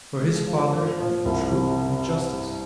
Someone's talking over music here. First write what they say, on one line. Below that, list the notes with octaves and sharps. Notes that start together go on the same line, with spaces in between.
For his father and for truth and justice.
G#3
F3
F3
F3
C2
C3